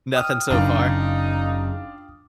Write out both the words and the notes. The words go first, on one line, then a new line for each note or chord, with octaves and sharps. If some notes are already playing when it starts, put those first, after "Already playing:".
Nothing so far?
G5 D#6 F6
F#1 F#2 C#3 D4 D#4 F4